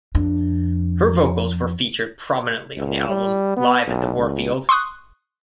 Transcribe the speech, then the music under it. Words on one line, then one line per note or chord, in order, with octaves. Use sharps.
Her vocals were featured prominently on the album "Live at the Warfield".
F2 D4
C#2
G3
B3
B1
C#2
C6 C#6 D#6 F#6